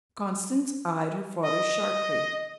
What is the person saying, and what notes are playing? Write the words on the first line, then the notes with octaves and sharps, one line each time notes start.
Constance eyed her father sharply.
D#5